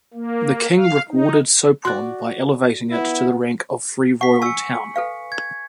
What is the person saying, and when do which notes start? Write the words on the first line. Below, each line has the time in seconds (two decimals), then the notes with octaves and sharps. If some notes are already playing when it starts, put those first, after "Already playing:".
The king rewarded Sopron by elevating it to the rank of free royal town.
0.14 A#3
0.76 F5
1.09 D#4
1.85 F#4 D5 C6 F#6
2.92 B3 E4
4.21 F#5 C#6 B6
4.42 G#5 C#6 E6 C#7
4.96 A4 B4 F5
5.32 G#6